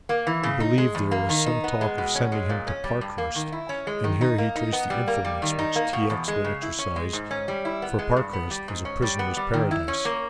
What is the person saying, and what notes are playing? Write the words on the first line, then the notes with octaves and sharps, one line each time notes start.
He believed there was some talk of sending him to Parkhurst, and here he traced the influence which T. X. would exercise, for Parkhurst was a prisoner's paradise.
A#3
E3
C#3
D#4
G#3
E2
A#3
D#3
D#4
B3
G#3
B2
C#4
G#3
A#2
C#4
G3
G2
A#3
D#3
E4
C#4
G#3
D#3
D#4
A#3
D#4
B3
G3
A#3
G3
D#3
D#4
A#3
B2
E2
G#3
C#3
E4
C#4
G#3
G#2
C#4
G3
E4
B3
G#3
G2
B3
G3
G#2
C#4
G3
B3
G3
D#3
E4
C#4
A#3